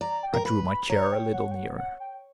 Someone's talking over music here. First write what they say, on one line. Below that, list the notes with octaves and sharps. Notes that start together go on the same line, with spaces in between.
I drew my chair a little nearer.
D5 A#5
G5
A#4
B4 B5
B5
C#5 A#5
G5
F#5
G5
F#5
F#5
G5